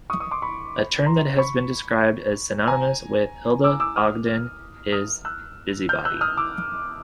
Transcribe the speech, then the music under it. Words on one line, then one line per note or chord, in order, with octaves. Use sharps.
A term that has been described as synonymous with Hilda Ogden is "busybody".
C#6 D#6
C#6 D#6
C6 D6
B5 C#6
A#5 C6
B5 C#6
G#5 A#5
D6 E6
D6 E6
D#6 F6
D#6 F6
E6 F#6
F6 G6
E6 F#6
D#6 F6
D6 E6